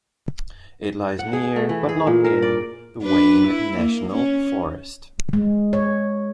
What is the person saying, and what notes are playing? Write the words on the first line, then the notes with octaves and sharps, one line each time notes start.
It lies near, but not in, the Wayne National Forest.
F#5
G#4
A3
E3
G#4
A#2
A#4
D5
D4 B4
E4
A#3
C#4
G#3
C#5